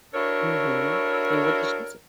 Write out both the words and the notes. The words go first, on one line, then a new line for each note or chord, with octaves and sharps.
Mhm. And what did she say?
D4 E4 F#4 A4 A#4 C#5